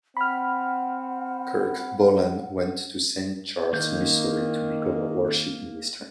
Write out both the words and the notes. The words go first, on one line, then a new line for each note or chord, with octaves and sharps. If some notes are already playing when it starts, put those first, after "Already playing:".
Kirk Bolen went to Saint Charles, Missouri, to become a worship minister.
C4 F#5 B5 F6
D#3 A#3 G6